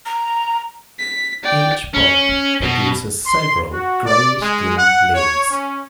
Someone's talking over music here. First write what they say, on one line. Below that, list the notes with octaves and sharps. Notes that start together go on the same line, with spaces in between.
Each bulb produces several greyish-green leaves.
A#5
B6
D5 G5
C#4
B2
C6
F#4
D5
G#3
F#5
C#5
C#4